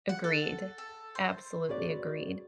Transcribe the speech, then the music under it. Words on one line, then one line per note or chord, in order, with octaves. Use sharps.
Agreed, absolutely agreed.
F#5
A4
A4
C5
F#4 G#4 B4 D5